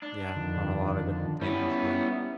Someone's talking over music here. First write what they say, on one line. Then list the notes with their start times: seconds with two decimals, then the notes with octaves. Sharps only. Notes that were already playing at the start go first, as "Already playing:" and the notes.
Yeah, on a lotta different things, yeah.
0.03 D4
0.37 F2 D3 D#3
1.41 G3 B3 C#4 E4